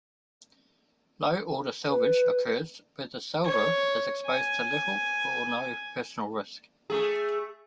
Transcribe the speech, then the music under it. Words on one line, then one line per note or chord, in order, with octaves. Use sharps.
Low-order salvage occurs where the salvor is exposed to little or no personal risk.
B4
C#5
G#5
A3 G#4